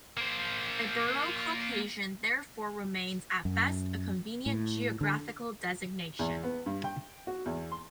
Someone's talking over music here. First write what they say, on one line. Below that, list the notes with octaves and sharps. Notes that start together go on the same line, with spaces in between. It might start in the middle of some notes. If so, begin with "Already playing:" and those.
"Ibero-Caucasian" therefore remains at best a convenient geographical designation.
A#3 C5
F#2
A2
D3
E2
B3
G2
G5
F#4
E2
C6